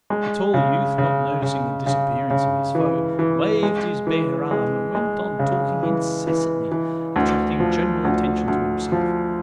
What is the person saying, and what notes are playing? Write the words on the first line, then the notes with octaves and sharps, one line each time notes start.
The tall youth, not noticing the disappearance of his foe, waved his bare arm and went on talking incessantly, attracting general attention to himself.
G#3
C#3
C#3
C#3
C#3
C#3
E3
E3
G#3
E3
G#3
G#3
C#3
E3
E3
E3
D2
F3
D2
D2
F3